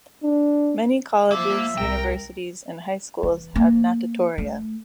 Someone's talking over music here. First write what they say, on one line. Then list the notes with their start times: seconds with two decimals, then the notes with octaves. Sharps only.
Many colleges, universities and high schools have natatoria.
0.23 D4
1.32 F3 A#3 E5
1.78 C2 A#4 G5
3.23 E3
3.55 A#3
4.38 A3